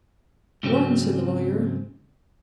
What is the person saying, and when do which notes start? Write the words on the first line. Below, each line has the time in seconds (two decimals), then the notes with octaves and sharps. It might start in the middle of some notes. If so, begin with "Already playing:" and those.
"One," said the lawyer.
0.63 G#2 C#3 F#3 C4